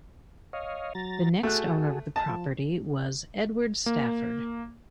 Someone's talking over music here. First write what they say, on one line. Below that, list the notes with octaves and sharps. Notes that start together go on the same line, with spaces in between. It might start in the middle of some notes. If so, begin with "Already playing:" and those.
The next owner of the property was Edward Stafford.
C#5 D#5 F5
F#3 A#5 A6
A3 F#4 G#4 A4 F#6
D#5 A5 A#5
F3
A#3